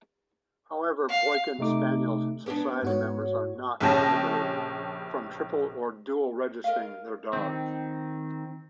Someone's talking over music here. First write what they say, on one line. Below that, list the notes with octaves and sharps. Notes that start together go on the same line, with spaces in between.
However, Boykin Spaniel Society members are not prohibited from triple or dual-registering their dogs.
F5
C3 A3 D#4 D6
B3 C#4 D4
G#2 F#4 C#5
A#1 C#3 C#4 G4 A5 A#6
A#4 D#5 F5
D#3 C4